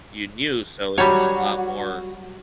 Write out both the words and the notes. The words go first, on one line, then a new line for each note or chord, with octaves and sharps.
you knew, so it was a lot more
F#3 G3 F#4 C#5